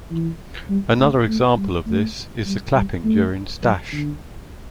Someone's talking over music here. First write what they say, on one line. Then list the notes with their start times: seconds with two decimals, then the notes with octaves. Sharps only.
Another example of this is the clapping during Stash.
0.11 E3
0.69 G3
0.99 A3
1.28 A3
1.58 G3
1.86 A3
2.46 G3
2.75 G3
3.04 A3
3.63 F#3
3.92 D3